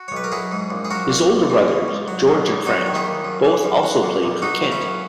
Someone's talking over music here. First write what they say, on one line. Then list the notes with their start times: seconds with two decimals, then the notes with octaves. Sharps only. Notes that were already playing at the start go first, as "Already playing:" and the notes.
His older brothers, George and Frank, both also played for Kent.
Already playing: F#4
0.08 C#5
0.12 B1 B4
0.24 A#4
0.32 F#3 E4 G#4
0.51 G#2
0.70 A#1
0.85 G#4
0.90 F#3 F#4 A#4
1.09 A#2
1.30 B1
1.50 E3
1.68 C#3
1.88 C#2
2.08 F#3
2.28 B2
2.47 E2
2.66 F#3 D#4 F#4
2.86 D#3
2.95 E4 G#4
3.06 D#2
3.25 F#2
3.44 E3
3.64 F#2
3.83 F#3
4.03 A#2
4.23 B1
4.42 F#3 D#4 F#4
4.62 C#3
4.72 C#4 E4
4.82 F#2